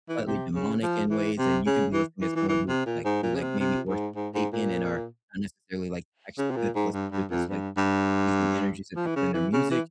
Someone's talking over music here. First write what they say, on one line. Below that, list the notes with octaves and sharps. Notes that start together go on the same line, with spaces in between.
slightly demonic in ways, and you could be listening to someone who could like who, like, maybe worship Satan and are not necessarily, like, actually good to listen to because like the frequencies and energies that they put in their music,
E3
C3
C#3
F3
E3
C3
C#3
E3
E3
E3
E3
C3
A#2
G#2
A#2
C#3
C3
C3
G#2
G#2
G#2
A#2
C#3
C3
A#2
G#2
G2
G2
F2
G2
G2
F3
E3
C#3
E3
C#3
E3